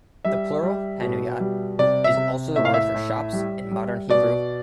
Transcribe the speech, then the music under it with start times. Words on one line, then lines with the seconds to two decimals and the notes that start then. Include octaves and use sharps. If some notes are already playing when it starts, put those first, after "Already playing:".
The plural "hanuyot" is also the word for "shops" in modern Hebrew.
0.25 G3 E5
0.63 G3
1.01 B2
1.40 G3
1.79 C3 D5
2.04 E5
2.17 C3
2.56 A2 E5
2.65 F5
2.74 E5
2.94 A2
3.33 G3
3.71 G3
4.09 B2 D5